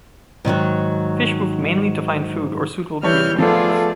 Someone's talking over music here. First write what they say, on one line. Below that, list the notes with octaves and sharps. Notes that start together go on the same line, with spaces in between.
Fish move mainly to find food or suitable breeding grounds.
G#2 D#3 F3 F#3
E3 G3 E4 C#5 D5 F6 G6
F3 A3 B3 F4 G#4 A4 D5